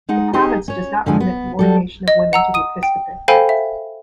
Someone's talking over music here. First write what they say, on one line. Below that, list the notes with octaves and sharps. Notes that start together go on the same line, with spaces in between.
The province does not permit the ordination of women to the episcopate.
G#3 D#4 F#5
D#4 G4 G#4 D#5
C#4 C#5
F2 D3 E3 F3 G#3 G#5
B3
F#3 G3 A4
D#5
F#5 A#5 E6
D#6 D#7
G5
A4 C5 F5 G5 G#5 B5
E5